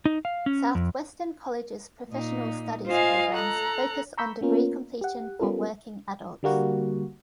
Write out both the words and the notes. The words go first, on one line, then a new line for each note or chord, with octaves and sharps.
Southwestern College's professional studies programs focus on degree completion for working adults.
D#4
F5
C#4
F2
A#2 D#4
F4 C5 D#5 F5 G#5
A4 A#5 F#6
A#5 B5 C#6 E6 G6 B6
A#3 B3 C#4 F4 A#4
G4 F#5
G3 B3 C#4 F4 A4 A#4
D3 G3 A#3 F#4